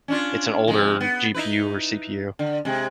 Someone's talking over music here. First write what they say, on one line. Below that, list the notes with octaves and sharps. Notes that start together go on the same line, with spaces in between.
it's an older GPU or CPU.
C#4 D4 F4
C3 F3 G#3
B3
D#4 E4 B4
D3
C3 G#3